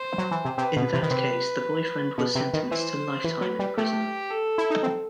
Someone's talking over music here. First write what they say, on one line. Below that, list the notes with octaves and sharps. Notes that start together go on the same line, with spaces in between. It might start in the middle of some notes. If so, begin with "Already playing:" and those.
In that case the boyfriend was sentenced to lifetime in prison.
Already playing: C5
F#3
E3
C3
C3 B4
B2
C3
D#3
C3
B2 B4
C3
D#3
E3 C5
E3 B4
F#3
G3
A3 G4
A4
E4
D#4
C4